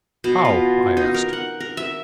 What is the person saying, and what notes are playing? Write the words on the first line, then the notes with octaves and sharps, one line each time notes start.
"How?" I asked.
B2
F4
D#4
A#4
F#5
A#4
E5